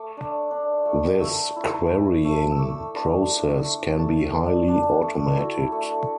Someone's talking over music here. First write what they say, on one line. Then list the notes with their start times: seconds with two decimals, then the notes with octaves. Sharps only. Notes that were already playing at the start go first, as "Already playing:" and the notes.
This querying process can be highly automated.
Already playing: A3 D6
0.17 D4
0.51 D4
0.86 A3
1.20 A3 E6
1.56 E4
1.90 E4
2.25 A3
2.52 E6
2.59 A3 D6
2.95 D4
3.30 D4
3.64 A3
3.98 A3 A5
4.34 D4
4.68 D4 A5
5.03 A3
5.37 E4 F#4
5.72 A3